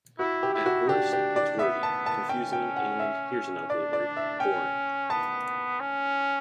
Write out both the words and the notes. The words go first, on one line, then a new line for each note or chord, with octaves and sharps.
At worst, it's wordy, confusing and - here's an ugly word - boring.
E4 F#4
G4
E4
F#4
D4 G4
G4
D5
B3 E5
A5
A5
C#4 G5
G5
F#5
E5
D4 D5
D5
E5
C#4 G5
B3 A5
C#4